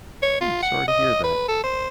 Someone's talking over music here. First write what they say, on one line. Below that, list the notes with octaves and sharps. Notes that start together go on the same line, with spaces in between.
I'm sorry to hear that.
C#5
F4
F#5
D#5
B4
A4
C5